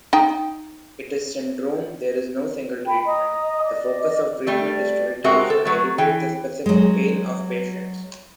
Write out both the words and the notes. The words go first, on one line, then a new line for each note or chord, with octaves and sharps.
It is syndrome, there is no single treatment. The focus of treatment is to reduce or alleviate the specific pain of patients.
D#4 G5
G5 B5
D#5 A#5 D#6
D5 D#5 D6
G3 A3 D5
G#3 C4 F#4 G4 A#4 E5
A4
F#3 A3
E3 G5
F#3 G#3